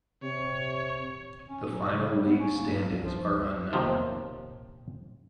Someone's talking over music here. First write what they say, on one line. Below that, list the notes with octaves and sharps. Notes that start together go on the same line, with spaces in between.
The final league standings are unknown.
C3 C#5
C#4
F#3
C#3
G3
B3
C#4
A#3
G2
C2
F3
D2
D#2 C3 D#3 F3